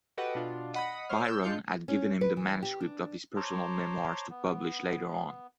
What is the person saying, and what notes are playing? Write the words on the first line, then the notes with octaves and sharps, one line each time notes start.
Byron had given him the manuscript of his personal memoirs to publish later on.
F#4 G4 A4 B4 D#5 F#5
B2 D4 F4
D#5 F#5 B5 D#6
C5 C#5 F6
E6 F6 G6
G#3 D4 F4 G6 C#7
C#4
B4
E3
G4
D4
C5 C#5 A5 A#5 C6 D6
B3